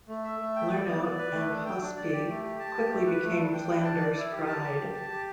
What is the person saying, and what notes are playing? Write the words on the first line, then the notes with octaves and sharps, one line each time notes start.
Lernout and Hauspie quickly became Flanders' pride.
A3
E5
A3
G5
D5
B3
D5
B4
A3
D4
G5
D4
D5
G4
A3
G4
A5
G4
A3
B4
A3
D4
G5
D4
A5
D5
E4
G4
A5
G4
G4
A5
G4